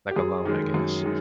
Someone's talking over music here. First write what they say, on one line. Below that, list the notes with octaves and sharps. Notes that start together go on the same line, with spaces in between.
like, alone I guess,
G4
F#2 G#4
D#3 G#3
F#2
D#3 G#3